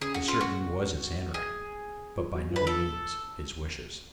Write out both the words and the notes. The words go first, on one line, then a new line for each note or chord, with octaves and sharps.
It certainly was his handwriting, but by no means his wishes.
C#3 G#4
F#4
F4
F#4
G#4
F3
F#3
F3
B4
D3
F3 A4